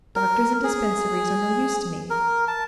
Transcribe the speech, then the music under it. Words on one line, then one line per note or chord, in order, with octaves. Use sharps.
Doctors and dispensaries are no use to me.
A#4
G#4
A#4
A5